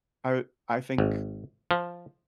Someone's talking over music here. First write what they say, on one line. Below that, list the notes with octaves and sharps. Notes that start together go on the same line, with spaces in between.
I I think
G#1
F3